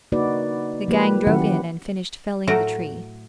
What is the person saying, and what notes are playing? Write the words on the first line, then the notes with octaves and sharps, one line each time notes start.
The gang drove in and finished felling the tree.
C#3 A#3 D#4 F#4 B4 D5
F3 A#3 G4 B4
D#3 F#3 C#4 E4 G4 F#5
A2 F#3 A3 F#4 A#4 A#5